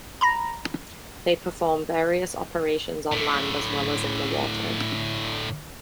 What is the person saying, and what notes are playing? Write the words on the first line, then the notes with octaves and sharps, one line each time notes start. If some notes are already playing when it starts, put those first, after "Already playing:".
They perform various operations on land as well as in the water.
A#5 B5 A#6
A2 D3